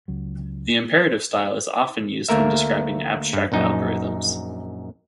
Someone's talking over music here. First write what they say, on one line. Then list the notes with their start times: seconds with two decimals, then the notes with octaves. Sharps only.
The imperative style is often used when describing abstract algorithms.
0.08 C#2 F#3
2.29 D2 A3 A#3 A#4 E5
3.33 G2
3.52 A#1 F#2 D#4